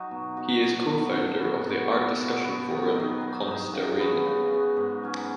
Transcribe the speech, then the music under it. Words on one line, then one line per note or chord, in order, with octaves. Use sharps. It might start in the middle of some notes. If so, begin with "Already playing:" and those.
He is co-founder of the art discussion forum "Konstarenan".
Already playing: F#3 D#4 F#4
B2
F#3 D#4 F#4
B2
B3 F#4
B2
B3 F#4
B2
B3 F#4
B2
B3 F#4
D#3
F#3 D#4
D#3
F#3 D#4
C#3
B3 F#4
C#3
B3 F#4
G#2
F#3 C#4